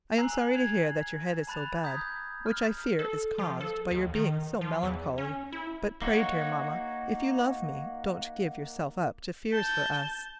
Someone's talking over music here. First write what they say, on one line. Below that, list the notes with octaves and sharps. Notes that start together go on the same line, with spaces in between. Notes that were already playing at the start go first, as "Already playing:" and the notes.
I am sorry to hear that your head is so bad, which I fear is caused by your being so melancholy; but pray, dear Mamma, if you love me, don't give yourself up to fears for us.
G#5 A#5 E6 F#6 C7 F#7
G#6 C7 F7
A5 B5 F#6 A6 F7
A#5 D#6 G6 G#6 B6
F6
A4
F3
A4
D#2
D#3
F3
E2
C#4
E4
A#3 D#4 F#4 C#5
A5 G6